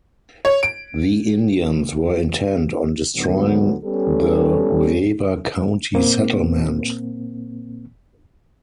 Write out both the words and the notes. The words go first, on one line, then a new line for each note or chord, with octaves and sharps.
The Indians were intent on destroying the Weber County settlement.
C#5
D7
D2 A2 D3 D#3 F#3 B3
G3 B3 C#4 G4 A4
A#2 A#3 C4